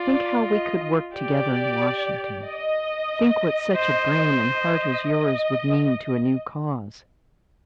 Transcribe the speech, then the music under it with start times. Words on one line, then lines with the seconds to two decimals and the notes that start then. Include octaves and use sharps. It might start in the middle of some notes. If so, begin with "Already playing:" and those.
Think how we could work together in Washington--think what such a brain and heart as yours would mean to a new cause.
Already playing: F4 D5
0.49 D#5
1.15 G4 D5
2.45 D#5
3.76 C5
4.42 D#5